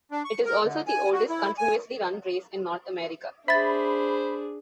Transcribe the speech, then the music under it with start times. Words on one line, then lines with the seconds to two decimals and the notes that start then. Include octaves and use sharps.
It is also the oldest continuously run race in North America.
0.11 D4
0.25 C#6
0.45 A#4
0.64 D3
0.87 G#5
1.12 F#4
1.29 E4
1.58 G#5
3.48 D4 G#4 C5 E5 B5 A6